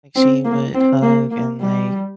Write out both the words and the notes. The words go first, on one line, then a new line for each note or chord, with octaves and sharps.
like, she would hug and, like,
C4
A#3
C4
A#3
A#3
G3